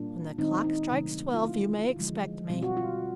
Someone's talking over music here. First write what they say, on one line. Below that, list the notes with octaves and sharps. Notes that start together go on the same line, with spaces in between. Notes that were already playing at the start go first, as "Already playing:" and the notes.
"When the clock strikes twelve you may expect me."
Already playing: A#2 G3 A#3 D4 F4
D#3 G#3 C4 D#4
D#4
C3 D#3 F#3 A3
F4
E3 A3 C#4 E4
D3 F3 G#3
B2 G3 C4 F4
F#4
F4